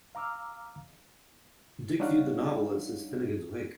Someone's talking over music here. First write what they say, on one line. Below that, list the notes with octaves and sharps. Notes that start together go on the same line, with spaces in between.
Dick viewed the novel as his "Finnegans Wake".
F5 A#5 D6 E6 F6
G3 D4 D#4 C#5 F5 F#5